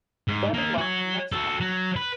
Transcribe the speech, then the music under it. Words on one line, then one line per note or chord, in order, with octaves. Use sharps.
Better luck next time.
G#2
A#3 D#4
F#4 C#5
F#4 A4
F#3
B4